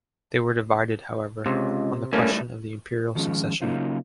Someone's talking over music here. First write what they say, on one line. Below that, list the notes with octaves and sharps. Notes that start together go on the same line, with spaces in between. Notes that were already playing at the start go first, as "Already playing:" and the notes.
They were divided, however, on the question of the Imperial succession.
C#2 C3
A2 G3 A3 A#3 C#4
D#3 F3 G#3 C#4 F4
C#3 F#3 A#3 C#4 D#4 F4